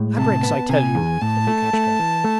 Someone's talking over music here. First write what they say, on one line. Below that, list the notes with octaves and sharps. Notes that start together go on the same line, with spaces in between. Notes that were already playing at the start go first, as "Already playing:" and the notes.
'Abreks, I tell you!' said Lukashka.
Already playing: A2 G#3
C3 A5
B3
C3 G#5
E2
A2 A5
A3
A3
E3
A3